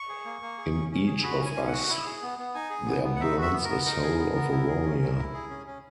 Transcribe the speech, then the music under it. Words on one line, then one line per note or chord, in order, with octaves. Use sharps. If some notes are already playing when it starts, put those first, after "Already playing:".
In each of us there burns a soul of a warrior.
Already playing: C#6
G#4
A#3
A#3
G#4
C#4
C#4
G#4
F#4 B5
C#4
G#5
C#4
F#4 F#5
E4
G#4
B3
B3
D#4 G#5
G#4
B3
B3
F#5
D#4 E5
F#4 E5
B3
A#4
B3
D#4 A#4
G#4
B3
B3
E4
G#4
C#4
C#4
E4
G#4
C#4
C#4